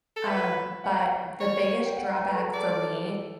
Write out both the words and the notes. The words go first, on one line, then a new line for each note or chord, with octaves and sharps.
um, but the biggest drawback for me
A4
B4 E5
F#5
G5
F#5
C#5
G5
F#5
G5
B4
A4
A4 D5